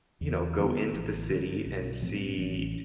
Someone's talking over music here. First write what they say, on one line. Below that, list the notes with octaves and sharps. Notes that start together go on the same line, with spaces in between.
you know go into the city and see,
E2
D3 F3 B3
A1
G2 D3
B1
A2 F3 C4
A1